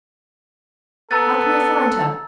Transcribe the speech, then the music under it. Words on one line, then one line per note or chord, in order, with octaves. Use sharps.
"How can I find her?"
B3 A4 A#5 E6 A6